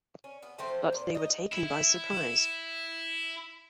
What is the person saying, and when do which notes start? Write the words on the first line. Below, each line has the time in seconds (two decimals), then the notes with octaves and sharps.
But they were taken by surprise.
0.24 C#4
0.43 B3
0.58 F3 A3 C4 C5
0.92 A#2
1.15 D#4 D#5
1.52 E4 E5